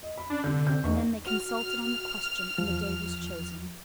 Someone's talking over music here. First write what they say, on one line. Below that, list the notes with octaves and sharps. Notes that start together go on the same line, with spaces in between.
And then they consulted on the question, and the day was chosen.
D#5
B5
C#4 D4
C2 D3 G6
C4 G6
E2 D#4 D#5 C#6
F#4 F6
E2 F3